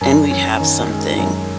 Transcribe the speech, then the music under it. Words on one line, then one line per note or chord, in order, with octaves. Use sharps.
and we'd have something,
F#2
C#4
D#3
G#3
F#2